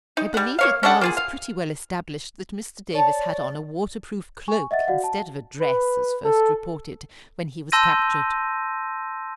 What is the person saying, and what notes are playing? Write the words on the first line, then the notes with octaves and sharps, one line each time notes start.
I believe it now is pretty well established that Mr. Davis had on a water-proof cloak instead of a dress, as first reported, when he was captured.
D#4
G3 F#5
A#3 C#5 F5
C#4 D4 A4 F#5
A#3 F4 G#4
F5
C#5 D5 A5
G#5 C#6
D#5 E5 F#5 A6
F#4 D5 F5 F#5
A5
B4
A4
A5 C6 E6 G6 A#6 D#7